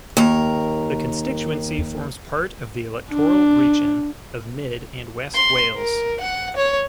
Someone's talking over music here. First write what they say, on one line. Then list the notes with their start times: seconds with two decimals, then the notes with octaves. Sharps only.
The constituency forms part of the electoral region of Mid and West Wales.
0.17 D#2 A#4
3.14 D4
5.35 C6
5.76 A#4
6.20 F#5
6.56 C#5